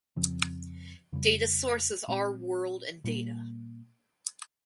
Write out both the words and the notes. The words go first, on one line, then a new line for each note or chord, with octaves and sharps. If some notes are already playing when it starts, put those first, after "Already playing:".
Data source is Our World in Data.
F2 C#3 F3 C4
F2 C#3 G3
A#2 G#3 C4
A#2 G3 A#3